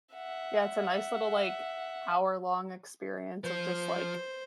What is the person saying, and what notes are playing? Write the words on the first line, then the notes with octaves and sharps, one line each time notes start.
Yeah, it's a nice little, like, hour-long experience of just, like,
E5 F#5
F3 C5